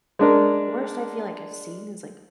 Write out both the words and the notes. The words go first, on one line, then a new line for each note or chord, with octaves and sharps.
the worst I feel, like, I've seen is, like,
G#3 D4 A#4